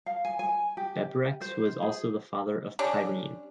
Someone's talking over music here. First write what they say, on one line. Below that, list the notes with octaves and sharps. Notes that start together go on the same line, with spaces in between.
Bebryx was also the father of Pyrene.
F5
G#5
G#5
G4
C5
G#4
G3 C#4 D4